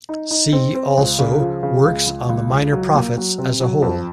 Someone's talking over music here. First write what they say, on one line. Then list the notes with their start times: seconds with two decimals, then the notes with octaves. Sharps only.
See also works on the Minor Prophets as a whole.
0.09 D#4
0.31 D#4
0.52 C4
0.74 C4
0.97 C#2
1.19 C#3
1.40 F3
1.63 C#3
1.85 C#2
2.06 C#2
2.29 C#2
2.51 C#2
2.73 F#3
2.94 A#3
3.17 F#3
3.38 C3
3.61 F#3
3.82 F2